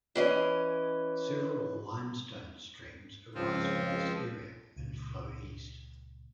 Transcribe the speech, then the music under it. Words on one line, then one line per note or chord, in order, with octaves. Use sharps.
Several limestone streams arise from this area and flow east.
E3 C#4 D#5
C#2 F3 C4 F4
C#2 A#2